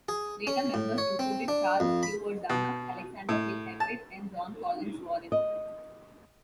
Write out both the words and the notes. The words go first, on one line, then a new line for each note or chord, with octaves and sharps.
Later members included Charles Stewart Dana, Alexander Hill Everett, and John Collins Warren.
G#4
C#4
A2
C#5
C4
D4
F2
B5
B2
A2
A5
D#5